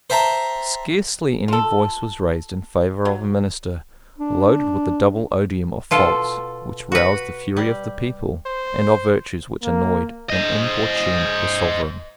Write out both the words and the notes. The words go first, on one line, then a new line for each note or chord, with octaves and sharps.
Scarcely any voice was raised in favour of a minister loaded with the double odium of faults which roused the fury of the people, and of virtues which annoyed and importuned the sovereign.
C5 E5 G5 A5 A#5
F4 A4
F#3
D4
B2 F4 A4
F#4 B4
G3
C5
A#3
C5 D#5